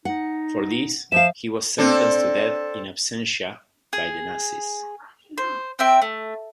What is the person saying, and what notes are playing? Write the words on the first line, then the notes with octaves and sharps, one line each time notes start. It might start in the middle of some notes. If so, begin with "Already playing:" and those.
For this, he was sentenced to death "in absentia" by the Nazis.
D#4 F#5
F3 E5 F5 E7
C4 D4 A4
G#4
C5
C4 C5 E5 G5
A3